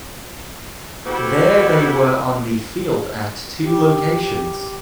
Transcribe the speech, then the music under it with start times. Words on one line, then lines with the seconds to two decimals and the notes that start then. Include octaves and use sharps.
There they were on the field at two locations.
1.05 B3 E4 F#4 G4 A4 C5
3.64 G4